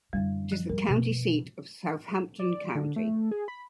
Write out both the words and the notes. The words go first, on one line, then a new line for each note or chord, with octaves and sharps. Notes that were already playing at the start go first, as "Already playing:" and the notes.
It is the county seat of Southampton County.
F#2 D3 G3
F3
G3 A#4
B2
D5
D3
A3
G#4
B5